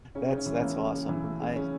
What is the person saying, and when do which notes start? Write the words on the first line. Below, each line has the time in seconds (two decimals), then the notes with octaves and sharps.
That's that's awesome. I
0.15 C#3 C#4
0.30 C#3
0.38 C#4
0.46 E3
0.61 A3 A#3
0.77 C#3
0.94 C#3
1.09 E3
1.24 A3
1.40 C#3
1.56 C#3 C#4